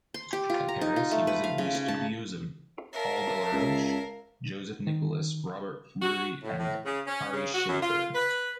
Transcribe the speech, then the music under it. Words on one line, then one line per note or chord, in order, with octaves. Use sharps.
At Paris, he visited the studios of Paul Delaroche, Joseph-Nicolas Robert-Fleury and Ary Scheffer.
C6
G4
F4
A#5
D#4
F4
A3
B4
F5
C#3
C#4
A5
A#4 C#5 E5 F5 A5
C#2
D#3
F#4
A2
A2
C#3
C#4
C#3
F#4
F#2
F4
B4